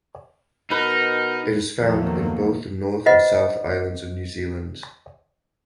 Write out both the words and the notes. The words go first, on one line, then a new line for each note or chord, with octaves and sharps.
It is found in both the North and South Islands of New Zealand.
B2 D#4 A#4 B4
E2 D#3 F3 F#3 A3 A#3
F4 B4 C5 D#5 F#5